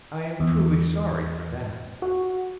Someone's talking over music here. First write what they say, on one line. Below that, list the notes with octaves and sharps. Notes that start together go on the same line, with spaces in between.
"I am truly sorry for that."
E2
F#4